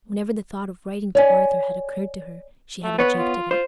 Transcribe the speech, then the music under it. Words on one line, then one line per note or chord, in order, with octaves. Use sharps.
Whenever the thought of writing to Arthur had occurred to her, she had rejected it.
C#5 D5 G#5
A3
B3 B4 C#5
F4
F4 C5